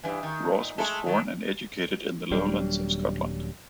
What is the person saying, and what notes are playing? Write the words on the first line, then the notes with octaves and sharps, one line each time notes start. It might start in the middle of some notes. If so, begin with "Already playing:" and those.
Ross was born and educated in the lowlands of Scotland.
G2 E3
D#3
A#2
G#3 A3 A4
D#3 F#3
D#1 F#3 G3 D4